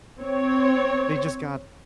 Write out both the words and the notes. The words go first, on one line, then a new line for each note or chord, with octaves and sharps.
They just got
C4 C#5